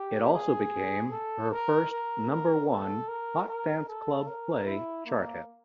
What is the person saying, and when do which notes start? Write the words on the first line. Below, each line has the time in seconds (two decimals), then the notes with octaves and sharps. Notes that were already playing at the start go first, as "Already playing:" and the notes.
It also became her first number-one Hot Dance Club Play Chart hit.
Already playing: G4
0.34 G#4
1.12 A4
1.51 A#4
1.91 A#4
2.29 A#4
2.70 A4
3.08 A#4
3.49 A#4
3.88 A4
4.27 A#4
4.66 E4
5.06 A#3